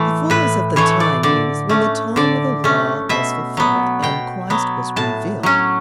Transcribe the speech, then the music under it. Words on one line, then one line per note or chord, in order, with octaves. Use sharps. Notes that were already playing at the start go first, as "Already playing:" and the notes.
"The fullness of the time" means when the time of the Law was fulfilled and Christ was revealed.
Already playing: A2 E3 A3
A2 B4
E3 A3 C#5
D5
D3 D5
A3 C#4
D3 D5
A3 C#4
B2 E5
F#3 B3
B2 G5
F#3 B3
A2 A5
F#3 C#4